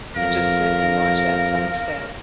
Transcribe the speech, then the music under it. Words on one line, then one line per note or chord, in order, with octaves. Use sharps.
and just sit and watch that sunset
F2 A#4 F5